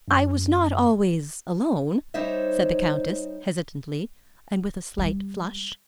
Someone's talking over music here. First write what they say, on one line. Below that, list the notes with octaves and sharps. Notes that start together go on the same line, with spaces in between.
"I was not always alone," said the Countess, hesitatingly, and with a slight flush.
F#2
G3 D#4 C5 C#5 E5
G3